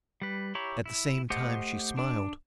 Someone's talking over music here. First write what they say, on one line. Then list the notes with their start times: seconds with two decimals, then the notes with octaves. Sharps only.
At the same time she smiled.
0.22 G3 B4
0.55 E4 G4 C#5 A#5 B5
0.86 E4
1.30 A3 G4 C5 D#5 F#5
1.97 D4